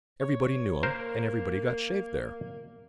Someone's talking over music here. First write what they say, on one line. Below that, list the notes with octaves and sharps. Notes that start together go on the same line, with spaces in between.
Everybody knew him and everybody got shaved there.
C#5
A#3 A#4 C5